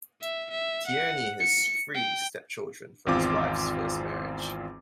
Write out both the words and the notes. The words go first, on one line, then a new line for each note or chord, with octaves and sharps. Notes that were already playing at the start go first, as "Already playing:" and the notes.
Tierney has three stepchildren from his wife's first marriage.
E5
E5
F#5
C#7
G5
G#1 E2 C4 F4 D6